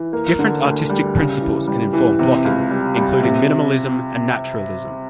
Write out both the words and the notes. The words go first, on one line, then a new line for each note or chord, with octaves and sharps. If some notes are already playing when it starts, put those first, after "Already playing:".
Different artistic principles can inform blocking, including minimalism and naturalism.
Already playing: E3
A#3
D3
D2
G3
C#3
E3
G3
E3
C3
C#2
G3
G3
C3